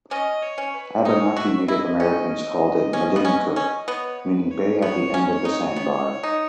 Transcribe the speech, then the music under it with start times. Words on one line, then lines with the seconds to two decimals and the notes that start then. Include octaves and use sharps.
Abenaki Native Americans called it Meduncook, meaning bay at the end of the sandbar.
0.11 C#4 D#5
0.42 C#5
0.58 C#4
0.74 B4
1.05 D#4 C#5
1.37 F#4 E5
1.68 E4 D#5
2.00 C#4
2.93 C#4
3.16 B3
3.25 C#4
3.56 C#4
3.88 B3 C#5
4.20 B4
4.51 C#5
4.82 B3 C#5
5.14 C#4
5.45 D#4
5.76 B3
6.23 D#4